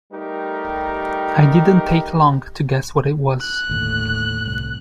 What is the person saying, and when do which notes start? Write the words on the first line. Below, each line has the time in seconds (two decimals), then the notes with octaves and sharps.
I didn’t take long to guess what it was.
0.12 G3 A3 D#4 G4 A#4
3.40 F#6
3.69 G1 D#2 A2
4.46 C2